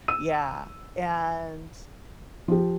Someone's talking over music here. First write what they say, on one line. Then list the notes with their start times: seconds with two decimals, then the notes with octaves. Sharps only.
Yeah, and d
0.08 E6 D#7
2.48 F3 G4